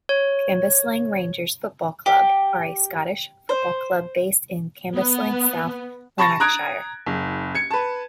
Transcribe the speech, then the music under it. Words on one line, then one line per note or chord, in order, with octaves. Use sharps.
Cambuslang Rangers Football Club are a Scottish football club based in Cambuslang, South Lanarkshire.
C#5
G4
C5
B3
A5 B5 C#6 A6 A#6
A#5 D#6 F#6 G#6 D7
F#1
G#6 C#7
B4 A5